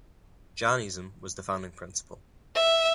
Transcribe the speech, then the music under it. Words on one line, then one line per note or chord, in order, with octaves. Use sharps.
Jann Eason was the founding Principal.
E5